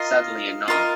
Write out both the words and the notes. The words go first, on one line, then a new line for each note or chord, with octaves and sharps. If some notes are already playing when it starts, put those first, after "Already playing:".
Suddenly, a knock.
Already playing: F4 A#4 D#5
F4 A#4 D#5